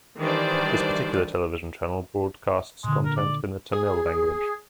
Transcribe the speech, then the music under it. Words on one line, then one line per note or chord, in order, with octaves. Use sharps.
This particular television channel broadcasts content in the Tamil language.
D#3 E3 G3 D4 C5 D5
A#2 D3 G#3
A#4
D5
G#4